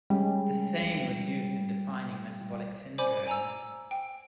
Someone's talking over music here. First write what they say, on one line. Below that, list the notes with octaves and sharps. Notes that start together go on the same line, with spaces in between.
The same was used in defining metabolic syndrome.
G3 G#3 C#4
C5 D5 G#5 B5 D6
G#5 A#5 E6
G5